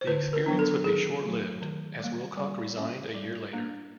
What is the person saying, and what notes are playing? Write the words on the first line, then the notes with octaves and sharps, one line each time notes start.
The experience would be short-lived, as Wilcock resigned a year later.
C5
D3 B4
A#4
F#3 B3 D4
A4
D#3 G#4
F#3 A3
D#3
G3 A#3
G3
A#3 C#4
G3
A#3 D4